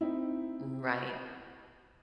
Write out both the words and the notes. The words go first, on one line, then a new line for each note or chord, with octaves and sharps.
Mm right.
C4 D#4 E4